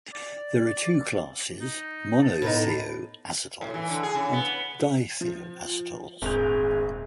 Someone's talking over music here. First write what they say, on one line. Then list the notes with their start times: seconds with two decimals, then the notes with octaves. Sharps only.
There are two classes: monothioacetals and dithioacetals.
0.13 D5
1.61 D#4
2.22 A5
2.42 A2 B3 D#4
3.61 A2
3.74 E3
3.90 D3
4.03 G#4
4.15 C#3
4.33 B3
5.21 F3
6.22 D#1 G#1 D2 G#4 G6 F7